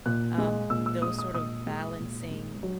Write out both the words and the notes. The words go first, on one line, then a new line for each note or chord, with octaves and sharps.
um, those sort of balancing,
A#2 F#6
G#3
A#2 E6
E6
G#3 D#6
D#6
A#2 D#6
G#3
A#2
G#3
F#3